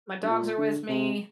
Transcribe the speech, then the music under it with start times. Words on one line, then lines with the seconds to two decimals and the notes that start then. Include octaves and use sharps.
my dogs are with me
0.24 G2
0.29 A#2
0.58 D3
0.89 C3